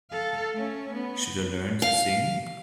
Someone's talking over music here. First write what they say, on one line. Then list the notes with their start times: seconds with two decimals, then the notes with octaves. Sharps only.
Should I learn to sing?
0.11 A4 F5
0.54 A3 C#4
0.94 B3
1.82 F5